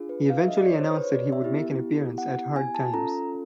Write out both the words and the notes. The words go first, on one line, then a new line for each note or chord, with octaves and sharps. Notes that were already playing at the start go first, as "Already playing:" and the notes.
He eventually announced that he would make an appearance at Hard Times.
Already playing: D4 F4 G#4
B4
F5
E5
D#5
D5
C#5
C5
B4
C#5
D5
E5
B3 E4 G4
F#5
G#5
A5
C#4 F4 A4 A#5